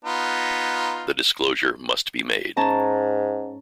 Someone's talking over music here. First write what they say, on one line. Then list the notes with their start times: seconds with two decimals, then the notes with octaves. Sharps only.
The disclosure must be made.
0.05 B3 D#4 F4
2.57 G#2 C#4 A5 A#5